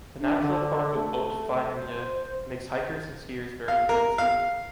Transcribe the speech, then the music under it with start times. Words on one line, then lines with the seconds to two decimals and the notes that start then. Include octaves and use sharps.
The natural park of Hautes-Fagnes makes hikers and skiers very pleased.
0.20 D4
0.42 D3
0.94 A3
1.74 C5
3.68 F5
3.89 A#4
4.18 F5